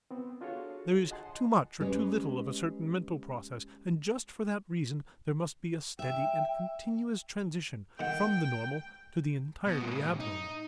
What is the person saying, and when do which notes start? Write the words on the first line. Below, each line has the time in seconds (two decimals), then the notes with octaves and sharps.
There is too much or too little of a certain mental process and just for that reason there must be a steady and continuous transition from the normal to the entirely abnormal.
0.11 B3 C4
0.41 D4 F4 F#4 G#4 A4 C#5
1.11 D#5 F#5 G#5 A5 C6
1.80 G3 G#3 C#4 B4 C#5
5.99 E5 G5
7.99 D#3 F#5 G5
9.66 B2
9.82 A2 G3
10.20 D#4